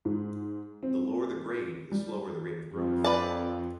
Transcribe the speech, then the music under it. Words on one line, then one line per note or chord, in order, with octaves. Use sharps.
The lower the grade the slower the rate of growth.
G#2
C4
G3
F2
B4 D5 A5